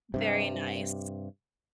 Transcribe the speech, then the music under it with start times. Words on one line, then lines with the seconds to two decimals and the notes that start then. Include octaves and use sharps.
Very nice.
0.14 G2 C3